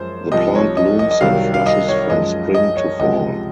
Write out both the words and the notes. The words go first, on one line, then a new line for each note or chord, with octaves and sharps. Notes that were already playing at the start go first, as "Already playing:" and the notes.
The plant blooms in flushes from spring to fall.
Already playing: F#2 F3 G#3 C5
C2 C3 F3 D#5
C#5
D#5
D#5
D#5
C2 C3 D#3 F#3 F5
F5
D#5
C#5
F#2 F3 G#3 D#5
D#5
C#5
C#2 C3 F3 G#3 D#5